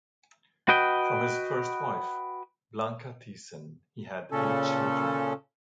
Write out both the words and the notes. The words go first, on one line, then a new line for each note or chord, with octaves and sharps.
From his first wife, Blanca Thesen, he had eight children.
F#4 B4 D#5 G5
A#2 C#3 C#4 A4